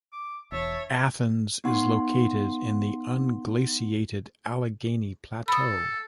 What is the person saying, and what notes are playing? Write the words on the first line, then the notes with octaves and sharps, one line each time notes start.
Athens is located in the unglaciated Allegheny Plateau.
D6
E1 C#5 E5 A5
B3 D#4 F#5 C6
A4 B5 D#6